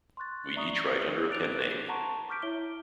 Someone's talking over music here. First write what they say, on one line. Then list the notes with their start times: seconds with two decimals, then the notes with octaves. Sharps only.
We each write under a pen name.
0.17 C6 C#6 F#6 A6
0.56 D5 E5 A#5 C#6 D#6
1.29 D6 F#6 A6 D7 F7
1.88 F#5 A5 A#5 C6 C#6
2.29 C#6 D6 F6 G6 B6 D7
2.42 E4 C#5 E5 G7